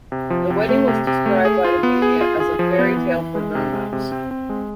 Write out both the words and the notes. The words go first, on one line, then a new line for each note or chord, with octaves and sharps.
The wedding was described by the media as a A Fairy Tale for Grown-Ups.
C3
F3
C3
A3
C3
C3
A3
G#4
F4
B3
G#4
F4
G#4
F3
B3
E3
E3
G#3
C3
G#3
C3
C4
C4
G#3